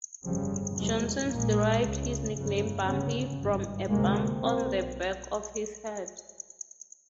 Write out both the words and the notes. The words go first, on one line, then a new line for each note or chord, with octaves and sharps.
Johnson derived his nickname "Bumpy" from a bump on the back of his head.
G1 F2 C#3 F3 G3
F1 E2 C3 F#3 G#3
A#1 A#2 G#3 A#3
C#2 C#3
G1 F2 C#3
D2 C#3 B3 C#4
G#1 G2
D2 C3 G#3 A#3
B1 A#3 C4